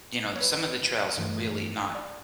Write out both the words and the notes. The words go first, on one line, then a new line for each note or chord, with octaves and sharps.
you know, some of the trails are really not,
C#5
B4
G2 E3 A3
D5